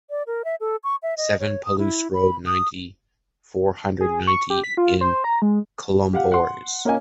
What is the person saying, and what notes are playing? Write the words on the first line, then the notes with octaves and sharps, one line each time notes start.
Seven, Pallus road, ninety, four hundred ninety in Colombiers.
D5
A#4
E5
A4
C#6
E5
D#5
C#5
D#6
E4
B5
D#6
G#4
C#6
G4
B6
F4
C5
A#5
G#3
G4 F5 F#5
F#5 C6
A#3 C#4 A#4 D#5 F5 G#5